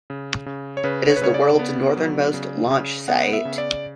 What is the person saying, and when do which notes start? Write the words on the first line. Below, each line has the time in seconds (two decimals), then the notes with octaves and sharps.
It is the world's northernmost launch site.
0.10 C#3
0.46 C#3
0.77 C#5
0.84 C#3 B4
1.10 C#5
1.17 B4
1.21 C#3 C#5
1.34 D5
1.59 B3
1.97 F#3
2.34 C#3
2.70 C#3
3.08 B3 F#5
3.33 E5
3.45 C#3
3.58 D5